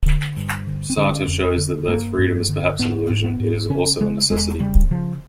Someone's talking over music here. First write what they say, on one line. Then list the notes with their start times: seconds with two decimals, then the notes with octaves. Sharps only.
Sartre shows that though freedom is perhaps an illusion, it is also a necessity.
0.06 D3
0.37 G2
0.67 D3
0.90 C4
0.97 D3 C#4
1.28 F2
1.58 D3
1.88 G2 A#3
2.18 G2
2.49 D3
2.79 G#2 B3
3.10 G#2
3.24 B3
3.40 G#2
3.70 C#3 C#4
4.00 C#3 G#3
4.30 E2 G#3
4.60 C#3 G3
4.91 C#3 F3